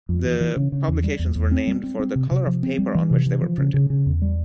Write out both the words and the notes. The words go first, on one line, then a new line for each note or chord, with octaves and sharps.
The publications were named for the color of paper on which they were printed.
F2
E3
E3
C#3
C#3
E2
G3
E2
E2
C4
G3
C4
C4
C3
C3
F3
C4
G3
E3
C3
E3
F3
C#3
C#3
C#3
E2
G3